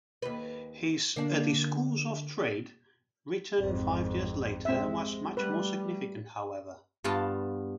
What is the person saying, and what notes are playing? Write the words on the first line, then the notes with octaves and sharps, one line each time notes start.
His "A Discourse of Trade", written five years later, was much more significant, however.
D#2 B4
D3 A#3 D4
G#1 F2
G#3 C4 E5
G3 A3 B4
G2 B3 F4 A5